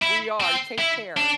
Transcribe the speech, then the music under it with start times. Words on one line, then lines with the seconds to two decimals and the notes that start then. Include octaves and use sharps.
We are, take care.
0.02 E4
0.40 C4
0.79 E4
1.17 D4